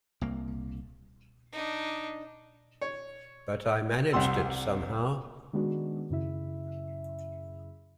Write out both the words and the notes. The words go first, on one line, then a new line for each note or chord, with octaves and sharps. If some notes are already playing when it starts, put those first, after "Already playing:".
But I managed it somehow.
C2 A#3
D4 D#4
C#5
C2 C3 G3 F#5 C6 E6
D#3 G#3 B3 D4 F#4
F#2 C#3 E4 E5